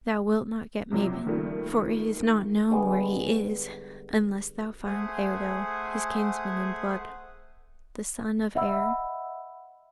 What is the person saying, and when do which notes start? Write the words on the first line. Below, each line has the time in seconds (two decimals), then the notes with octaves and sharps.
Thou wilt not get Mabon, for it is not known where he is, unless thou find Eidoel, his kinsman in blood, the son of Aer.
0.92 C3 F3 F#3
1.26 D#3 F3 G3 A3 A#3
2.71 D3 G3 G#3 B3
4.86 A3 G#4 C5 F#5 G#5 D#6
8.55 D#5 E5 F#5 B5 E6